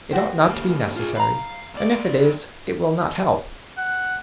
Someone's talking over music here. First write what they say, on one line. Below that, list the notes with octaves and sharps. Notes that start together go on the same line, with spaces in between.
It ought not to be necessary; and if it is, it will not help.
F#4 G4 C5
D2 A#3
F4 G#4
F5 A#5 B5
C2 D5
F#5